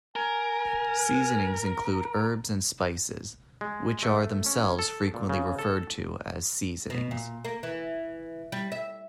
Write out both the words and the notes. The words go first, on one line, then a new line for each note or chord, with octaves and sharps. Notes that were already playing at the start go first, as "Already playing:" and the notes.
Seasonings include herbs and spices, which are themselves frequently referred to as "seasonings".
A#4 G#5
G#3
A3
C#4
A4
A#2
C#3
A4
B2
A#2
A#3
E3
G3
E5